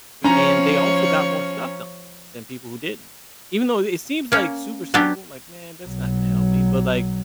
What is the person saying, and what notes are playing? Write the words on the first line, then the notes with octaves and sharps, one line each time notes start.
and they also got more stuff done than people who didn't. Even though it seems like super simple, like, "Man, that's not gonna help me," but, like,
F3 C#4 C#5 A#5
A#3 C#4
F#3 B3 C#4 D4 G4
B1 F#3